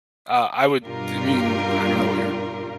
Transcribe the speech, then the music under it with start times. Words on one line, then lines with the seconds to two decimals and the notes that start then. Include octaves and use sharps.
Uh, I would I mean, I don't know what your
0.83 G2 B2 D4 F4 G4 A#4